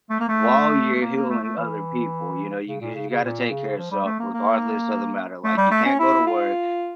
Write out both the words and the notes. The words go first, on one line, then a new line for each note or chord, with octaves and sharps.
while you're healing other people, you know? You you gotta take care of yourself regardless of the matter. Like, you can't go to work
A3
A#3
A3
A3
A#3
A#3
A3
A3
E3
C#3
A#2
C#3
C#3
A#2
C#3
F3
G3
A3
A#3
A#3
A3
G3
A3
C#4
E4
F4